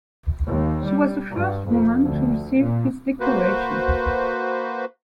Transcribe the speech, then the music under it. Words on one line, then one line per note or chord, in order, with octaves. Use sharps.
She was the first woman to receive this decoration.
D#2
G3
G2
F2
D2
A#2
A#3 F#4 B4 C5